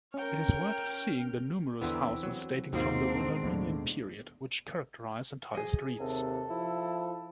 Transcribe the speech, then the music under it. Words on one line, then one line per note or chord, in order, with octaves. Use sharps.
It is worth seeing the numerous houses dating from the Wilhelminian period, which characterize entire streets.
C#4 A#4 C#5 G5 F6
E2 D3 E3 B3 C4 E4
F#3
D#2 G#2 B2 F3 A#3 C4 D#5
D4
D#2 A2 D3
G#4 D#5
D#2 C3 A4
F3 E4